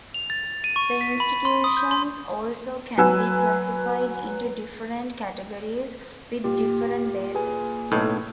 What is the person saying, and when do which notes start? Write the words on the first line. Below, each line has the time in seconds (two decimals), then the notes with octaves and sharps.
The institutions also can be classified into different categories with different bases.
0.14 F7
0.30 A6
0.64 D#7
0.76 C#6
1.01 B6
1.20 B5
1.45 C6
1.64 D#6
1.77 G6
1.91 C6
2.98 F#3 B4 G#5 E6
6.44 A#2 G4
7.35 G#4 B4 G#5
7.92 B1 A2